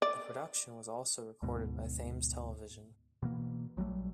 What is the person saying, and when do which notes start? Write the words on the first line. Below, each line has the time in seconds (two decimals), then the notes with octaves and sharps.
The production was also recorded by Thames Television.
0.02 D5
1.42 D2 G#2 B2
3.22 B2 E3 A#3
3.77 A#1 F#3 G3 A3